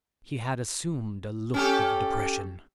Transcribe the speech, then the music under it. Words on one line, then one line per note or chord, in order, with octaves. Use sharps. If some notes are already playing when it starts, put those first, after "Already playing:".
He had assumed a look of depression.
C#4 G4 A4